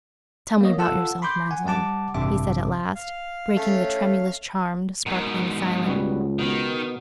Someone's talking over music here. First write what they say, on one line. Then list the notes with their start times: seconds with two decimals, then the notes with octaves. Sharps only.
"Tell me about yourself, Magdalen," he said at last, breaking the tremulous, charmed, sparkling silence.
0.61 A#3 B3 C#5 D#5
0.79 F4 A4 F#5 A5 E6
1.22 B5 C6 D6 G6
1.51 F#5 G#5
1.66 G3 F#5 A5 D6
2.14 A1 G2 C3 E5 A5 D6
2.95 F5
3.56 A3 C#4
5.06 G#2 B2 A#4
5.86 C#2 G3 B3 F#4
6.39 B2 D#3 B3